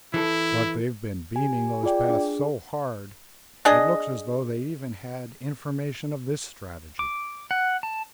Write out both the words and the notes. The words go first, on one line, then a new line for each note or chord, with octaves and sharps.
But they've been beaming those paths so hard, it looks as though they even had information of this strategy.
E3 E4 A4
G4 G#5
F4 G#4 D5 G5
D4 G#4
D4 G#4 D#5
D6
F#5
A5